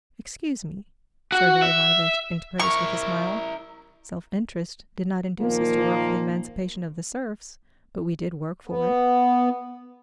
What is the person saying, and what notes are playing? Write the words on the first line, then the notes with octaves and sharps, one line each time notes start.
"Excuse me," Sergey Ivanovitch interposed with a smile, "self-interest did not induce us to work for the emancipation of the serfs, but we did work for it."
F#4
E5
E4 A#4 C#6
A#2 D#3 F3 A#3
B3